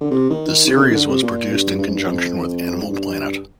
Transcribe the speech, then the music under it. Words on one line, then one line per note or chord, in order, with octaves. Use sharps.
The series was produced in conjunction with Animal Planet.
D3
C3
D#3
D#3
C3
D3
C3
D#3
D3
C3
A#2
G2
G2
G#2
G2
F2
G#2
G2